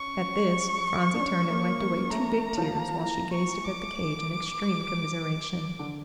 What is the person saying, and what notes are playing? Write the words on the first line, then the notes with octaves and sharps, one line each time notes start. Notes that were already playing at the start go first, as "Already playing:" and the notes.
At this Phronsie turned and wiped away two big tears, while she gazed up at the cage in extreme commiseration.
Already playing: C#4 C#6
D4
C#4
A#3
A#3
A3 A#5
F3
E3 A#5
C#6
D6
D3